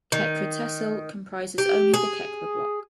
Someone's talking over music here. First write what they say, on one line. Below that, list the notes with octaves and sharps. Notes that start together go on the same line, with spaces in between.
Khekra tehsil comprises only the Khekra block.
D#3
G4
G#4